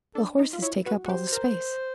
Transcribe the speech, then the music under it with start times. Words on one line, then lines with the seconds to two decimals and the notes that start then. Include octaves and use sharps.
"The horses take up all the space."
0.15 D4 A4
0.39 D#4
0.53 F4
0.62 E4 C#5
0.86 F#4 B4
1.06 F#4
1.09 G4 C5
1.33 A#4